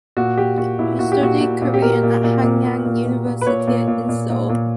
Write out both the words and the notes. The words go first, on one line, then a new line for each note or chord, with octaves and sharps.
She studied Korean at Hanyang University in Seoul.
A#2 F#4
A#2 G4
A#2 F#4
A#2 E4
A#2 F#4
G4
A#2 F#4
A#2
A#2
G4
A#2 A#4
A#2
A#2
A#2
A#2
A#2
A#2
A#2
B4
A#2 C#5
A#2
A#2
A#2
A#2
A#2